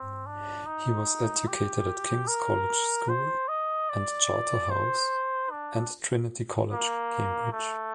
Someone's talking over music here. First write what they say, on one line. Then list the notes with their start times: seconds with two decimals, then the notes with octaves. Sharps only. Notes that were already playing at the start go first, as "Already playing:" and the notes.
He was educated at King's College School and Charterhouse, and Trinity College, Cambridge.
Already playing: C4
0.26 D4
0.66 D#4
1.48 G4
2.28 A#4
3.09 C5
3.48 D#5
3.90 D5
4.70 C5
5.51 D4
6.71 A#3
7.52 A3